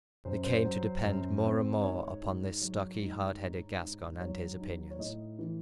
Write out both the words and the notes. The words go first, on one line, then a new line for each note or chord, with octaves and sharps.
They came to depend more and more upon this stocky, hard-headed Gascon and his opinions.
F#2 C5
C5
F#3
F#2
C4
G#2 C#5
G#2
F#3
G#2
D#4
G#2
F#3 C#5
D#4
C#5
A2 D#5
E3